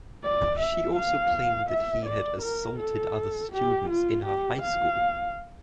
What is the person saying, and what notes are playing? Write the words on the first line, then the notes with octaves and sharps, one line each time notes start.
She also claimed that he had assaulted other students in her high school.
D5
E5
F5
E5
D5
A#4
A4
G4
F4
G4
F5